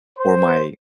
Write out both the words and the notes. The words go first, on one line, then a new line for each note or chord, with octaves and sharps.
or my
C5